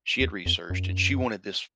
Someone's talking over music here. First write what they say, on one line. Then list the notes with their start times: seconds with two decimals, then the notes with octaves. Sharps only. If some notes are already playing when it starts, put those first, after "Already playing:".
she had researched, and she wanted this
0.20 E2
0.46 F2
0.70 F#2